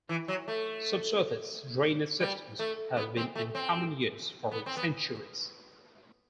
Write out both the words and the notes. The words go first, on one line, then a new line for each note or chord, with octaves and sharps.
Subsurface drainage systems have been in common use for centuries.
E3
F#3
A3
G3
A3
B3
C4
A3
C4
B3
C4
B3